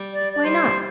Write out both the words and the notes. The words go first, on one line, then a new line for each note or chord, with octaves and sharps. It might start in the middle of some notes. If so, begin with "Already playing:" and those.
Why not?
Already playing: G3
D5
D5
G3 C5